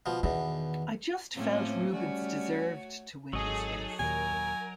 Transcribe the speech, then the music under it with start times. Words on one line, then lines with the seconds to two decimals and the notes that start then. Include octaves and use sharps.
I just felt Rubens deserved to win this race.
0.06 B2 F3
0.23 E2 B2 D#3
1.35 A2 F3 A#3 C4 C#4 C5
1.91 G3 A3 C#4 F#4 C#5
3.33 G#1 F#3 D#4 G#4 A4 D#5
3.99 D#2 A#2 A#4 G#5